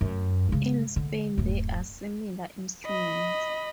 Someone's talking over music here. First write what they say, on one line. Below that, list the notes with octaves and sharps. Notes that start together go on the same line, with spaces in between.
In Spain there are similar instruments.
F#2
C#3 G#3
D3
D1 F#2
D#5 B5